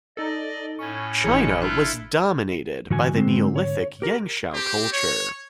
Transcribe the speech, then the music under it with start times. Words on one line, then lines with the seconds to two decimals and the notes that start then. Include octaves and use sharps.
China was dominated by the Neolithic Yangshao culture.
0.17 D#4 A4 D5 D#5
0.79 A2 C#4 C#6 G#6
1.24 G#1 E3 D#4 G#4 C#5
1.62 D4 E4 F4 A4 E5 F#6
2.90 G#2 D3 E3 F#4 G#5
3.15 G#3 C4
3.56 C#5
4.02 G4 A#4
4.52 C4 G4
4.92 C#5